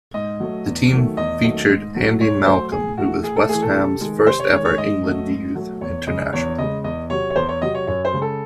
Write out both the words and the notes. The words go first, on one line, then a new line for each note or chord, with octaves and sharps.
The team featured Andy Malcolm who was West Ham's first ever England Youth International.
G#2 D#5
F#3 A3
E2
D#3 F#3 A3
E2 D#5
D#3 F#3 A3
G#2
F#3 A3
G#2 C#5
F#3 A3 C5
A2 G#4
E3 A3 F#4
A2 G#4
A4
E3 A3 G#4
A4
C3
D#3 G#3
C3 C5
C#5
D#3 G#3 C#5
C#5
G#2 D#5
F#3 A3
G#2
F#3 A3
E2 C#5
C#3 G#3 D#5
E2 C#5
C#3 G#3 D#5
E2 D#5
C3 F#3 C#5
C#5
E2 C5
C#5
C3 F#3 D#5
C#5
F#2 C#5
C5
C#3 G#3
A4